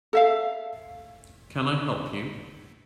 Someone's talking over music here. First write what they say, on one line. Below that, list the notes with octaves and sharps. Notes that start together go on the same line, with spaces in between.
Can I help you?
A4 E5 F5